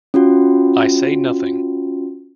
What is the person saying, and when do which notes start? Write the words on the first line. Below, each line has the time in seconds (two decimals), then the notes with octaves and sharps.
I say nothing.
0.14 C#4 F4 F#4